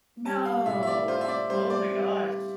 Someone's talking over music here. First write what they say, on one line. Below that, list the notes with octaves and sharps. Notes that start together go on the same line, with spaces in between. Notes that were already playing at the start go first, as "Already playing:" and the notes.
No. Oh my gosh.
G3 A5
F5
A2 E5
E5
D5
F4 C5
E5
D5
G3 C5
D5
G3